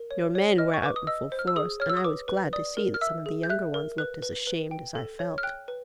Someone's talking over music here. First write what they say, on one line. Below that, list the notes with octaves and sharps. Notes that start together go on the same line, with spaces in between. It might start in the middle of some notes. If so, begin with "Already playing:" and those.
Your men were out in full force; and I was glad to see that some of the younger ones looked as ashamed as I felt.
Already playing: A#4
C#5
C#5
D#5 F6
C#6
B4 D6
D#6
D#5 E6
C5
F6
E6
G#4 D#6
C#5 F6
E6
D#6
B4 D6
B4
D5 D#6
A#4
F6
E5 E6
G#4
G6
E5 F#6
A#4
B4 F#6
B4
B4
G5
A4
C#5
F6
G5 F#6
B4